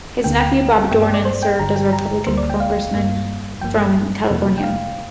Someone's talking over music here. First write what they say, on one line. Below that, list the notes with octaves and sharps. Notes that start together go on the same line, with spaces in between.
His nephew Bob Dornan served as a Republican congressman from California.
D2 D3 A#3 G5
G5
G2 G3 A#3 G5
D5
D5
C5
G5
G1 G2 D3 A#5
G5
A#5
D2 D3 A#3 C5
D5
G5
F5
G2 G3 A#3
G1 G2 F3 A#3 G5
F2 C3 F3 A#3
G5
F5